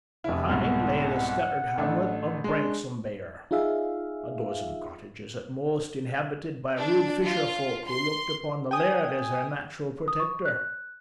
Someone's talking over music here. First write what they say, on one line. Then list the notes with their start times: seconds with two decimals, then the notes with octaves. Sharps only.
Behind lay the scattered hamlet of Branksome-Bere--a dozen cottages at most--inhabited by rude fisher-folk who looked upon the laird as their natural protector.
0.24 F1 E4
0.49 C2 G#2 B2 F#5
1.78 A1 A3 D4
2.44 G#3 D4
3.51 D#4 F4 G#4 E5 F5
6.78 D4
7.25 F4
7.88 C6
8.71 G5 G#5 D#6
10.08 D#6
10.20 C#6
10.46 F#6